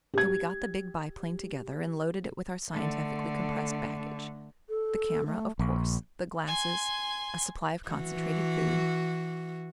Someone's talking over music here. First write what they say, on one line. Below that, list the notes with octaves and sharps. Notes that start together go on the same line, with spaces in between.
So we got the big biplane together and loaded it with our scientifically compressed baggage: the camera, of course; the glasses; a supply of concentrated food.
G4 G#6
D3 A3
A4
A3
A#1
G#5 C6
E3 F#4